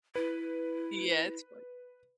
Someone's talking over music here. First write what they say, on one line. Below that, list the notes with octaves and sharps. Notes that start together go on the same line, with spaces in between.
Yeah, it's fun.
E4 B4